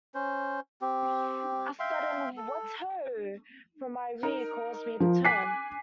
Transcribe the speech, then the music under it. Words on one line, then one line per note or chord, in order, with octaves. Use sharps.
A sudden "What ho!" from my rear caused me to turn.
C#4 C5
C4 G4
E5 F5 G5 C6
A4
D#4 A#4
F3
G#5 D6 F#6 B6 C7